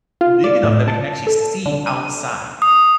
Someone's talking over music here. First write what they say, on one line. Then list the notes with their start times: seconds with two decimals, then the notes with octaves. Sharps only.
big enough that we can actually see outside.
0.21 F4
0.44 D5
0.63 A2
0.88 A5
1.27 A4
1.66 D3
1.87 D#7
2.62 D#6